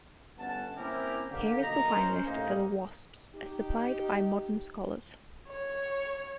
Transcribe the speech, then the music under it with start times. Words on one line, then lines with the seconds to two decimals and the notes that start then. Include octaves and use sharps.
Here is the wine list for "The Wasps" as supplied by modern scholars.
0.39 G1 B3 C#4 F#5 A5
0.77 A#3 C4 C#4 E4 G4 A#4
1.30 D3 A#3 G4
1.62 B1 A#3 D#5 A#5
1.95 C#4 C5
2.25 A2 C3 A#3 D#4
3.35 D#4 G4
5.50 C#5